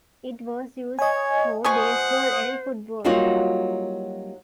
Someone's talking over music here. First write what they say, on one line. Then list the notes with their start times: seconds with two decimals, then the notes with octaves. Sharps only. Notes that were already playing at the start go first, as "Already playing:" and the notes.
It was used for baseball and football.
0.99 C#5 D#5 G#5
1.64 B2 C5 F#5 G#5 C#6 D#6
3.04 F#3 G3 A#3 D#4 F4 F#4